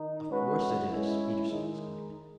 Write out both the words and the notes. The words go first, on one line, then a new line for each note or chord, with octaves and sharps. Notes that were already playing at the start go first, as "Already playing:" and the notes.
"Of course it is," Peterson exclaimed.
Already playing: D#3 D#4
G#3 C#4 F#4 B4
G#3 C#4 E4
D#3 G#3 D#4